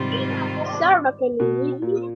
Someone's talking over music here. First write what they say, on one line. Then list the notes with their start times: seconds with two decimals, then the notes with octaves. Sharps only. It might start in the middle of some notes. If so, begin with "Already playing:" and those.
Sara can you read me?
Already playing: G#2 C3 D#3 G3 C4 F4
1.40 B2
1.82 A#2